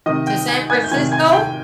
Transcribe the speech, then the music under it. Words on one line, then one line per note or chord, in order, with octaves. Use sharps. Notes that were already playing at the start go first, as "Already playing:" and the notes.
To San Francisco?
C3 D#3 D#5 D#6
G5 G6
G#5 G#6
G#5 G#6
G6
C3 D#3 G#5 G#6
G#5 G#6
G5 G6